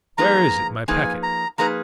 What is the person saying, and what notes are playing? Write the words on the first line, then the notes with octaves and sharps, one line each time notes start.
"Where is it, my packet?"
F3 A#3 D#4 G#4 B4 A#5
F3 A#3 D#4 G#4 B4 G#5
A#5
F3 A#3 D#4 G#4 B4 A#5